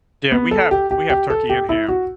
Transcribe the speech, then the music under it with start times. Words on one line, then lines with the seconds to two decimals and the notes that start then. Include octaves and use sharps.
Yeah. We have we have turkey and ham.
0.32 B3
0.51 A4
0.71 G4
0.91 G4
1.10 G4
1.30 A4
1.49 G4
1.69 E4
1.89 F#4